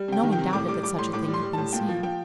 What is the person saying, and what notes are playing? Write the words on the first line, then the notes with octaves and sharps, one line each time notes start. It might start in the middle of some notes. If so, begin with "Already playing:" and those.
No one doubted that such a thing had been seen.
Already playing: G3
C3 G5
D#3
G5
C3
A2 D6
G3 D6
G3 D6
A2 C6
A2 D6
G3
C6
G3
A2 A5
A#2 G5
F3
F3 G5